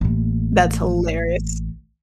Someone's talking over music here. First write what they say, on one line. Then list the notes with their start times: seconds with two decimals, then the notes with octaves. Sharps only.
That's hilarious.
0.01 A1 A#3